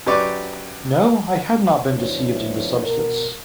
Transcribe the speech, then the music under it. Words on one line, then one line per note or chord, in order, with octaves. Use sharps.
No, I had not been deceived in the substance.
F#2 G4 B4 D5 C#6 D6
D2 F3 B3 E4 C#5
B2 A#4